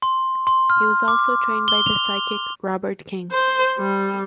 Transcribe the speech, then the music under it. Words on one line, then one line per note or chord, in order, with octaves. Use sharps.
He was also trained by the psychic Robert King.
C6
C6
F6
D6
G7
F7
C5
G3